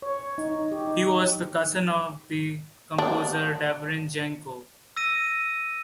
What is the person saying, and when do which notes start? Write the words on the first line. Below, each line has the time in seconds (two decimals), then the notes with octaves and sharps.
He was the cousin of the composer Davorin Jenko.
0.02 C#5
0.38 D#4
0.72 G4
0.87 D#4
2.98 D4
4.97 E6 A#6 D#7